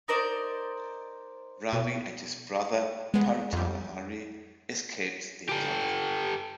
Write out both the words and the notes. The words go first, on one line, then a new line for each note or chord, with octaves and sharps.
Ravi and his brother, Paritala Hari, escaped the attack.
D#4 A#4 C5 D5
B2
G#3 B3
F2 G3
G4 A4